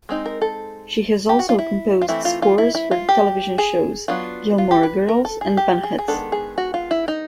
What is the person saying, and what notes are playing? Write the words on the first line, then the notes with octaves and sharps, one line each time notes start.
She has also composed scores for the television shows "Gilmore Girls" and "Bunheads".
G#3 C4 D#4
A#4
A4
G4
F#4
F4
E4
F4
E3 A3 C4 E4
F4
F4
E4
E4
F4
G4
G#4
F#3 B3 D4 F4
F4
G4
B4
A#4
A4
G#4
G4
G#4
G#4
D#3 G#3 B3 D4 A4
G#4
F#4
F4
E4
D#4